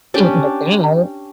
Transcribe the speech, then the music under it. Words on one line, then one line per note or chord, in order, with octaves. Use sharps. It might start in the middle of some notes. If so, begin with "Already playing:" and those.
out and about.
C#4 D4 G4